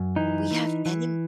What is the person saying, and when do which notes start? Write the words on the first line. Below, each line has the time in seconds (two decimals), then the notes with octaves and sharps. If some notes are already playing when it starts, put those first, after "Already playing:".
we have enem
Already playing: F#2
0.16 E3 D#4
0.51 E3
0.86 E3